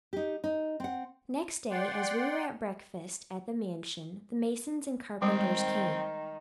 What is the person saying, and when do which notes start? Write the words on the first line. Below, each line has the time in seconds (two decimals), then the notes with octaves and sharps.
Next day, as we were at breakfast at the Mansion, the masons and carpenters came.
0.13 D#4 G4
0.44 D#4
0.80 C4 F#5
1.71 D5 F#5 G5 C6
5.22 D#3 G3 G#3 C4